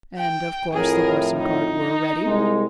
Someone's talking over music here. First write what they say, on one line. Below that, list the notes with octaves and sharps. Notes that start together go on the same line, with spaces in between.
"And, of course, the horse and cart were ready?"
G5
F2 A2 G#4 A#4
D#4
C2 G#3